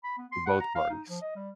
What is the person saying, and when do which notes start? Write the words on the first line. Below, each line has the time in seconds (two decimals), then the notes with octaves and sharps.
For both parties.
0.03 B5
0.17 B3
0.32 C6
0.46 F#5
0.60 A#5
0.75 F5
0.90 D#4
1.09 F3
1.22 D#5
1.36 G3